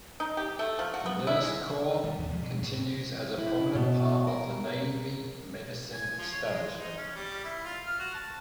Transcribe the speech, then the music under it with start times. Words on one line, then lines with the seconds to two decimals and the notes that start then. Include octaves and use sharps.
The Nurse Corps continues as a prominent part of the Navy Medicine establishment.
0.20 D#4
0.37 G4
0.59 A3
0.79 F3
0.94 F#4
1.06 B3
1.27 E4
1.44 G#3
2.04 D#3 G3
2.18 D#2 C3 F3
2.31 F3 G3 G#3
2.42 B2
2.62 A2
3.38 E4
3.75 B2
4.27 A#4
5.93 G#5
6.19 F3
6.32 C#5
6.49 G#3
6.80 D#4
6.97 C#4
7.15 G3
7.44 E4
7.65 F4
7.86 F6
7.99 F#4
8.14 A5